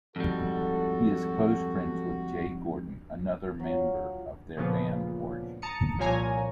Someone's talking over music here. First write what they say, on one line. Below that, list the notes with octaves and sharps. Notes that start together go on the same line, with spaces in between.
He is close friends with Jay Gordon, another member of their band Orgy.
F2 G#2 G3 F#4 A4
F#3 F4
A#2 C#3 F3 B3
A5 A#5 D#6 C#7
C2 A#2 F3 C#5 G#5 A#5